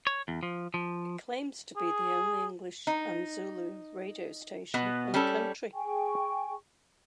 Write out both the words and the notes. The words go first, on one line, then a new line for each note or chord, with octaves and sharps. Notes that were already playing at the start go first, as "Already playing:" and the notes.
It claims to be the only English and Zulu radio station in the country.
C#5
E2
F3
F3
G#4
D#4
B2 B3
G3 C#4 A4
G#4 G5 G#5 C#6